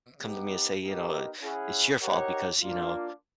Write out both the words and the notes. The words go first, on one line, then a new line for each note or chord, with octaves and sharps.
come to me and say, you know, "It's your fault, because," you know,
B3 D#4 G4
B3 D#4 G4 A#4 D#5
C#4 E4 G#4 C#5 F#5
D#4 G4 A#4 C#5 F#5
A#3 D4 F4